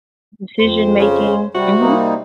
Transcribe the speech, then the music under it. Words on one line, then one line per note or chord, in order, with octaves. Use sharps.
Decision making, mhm.
F2 C5
C#3
C3 G3 F#4
G3 A#3 D#4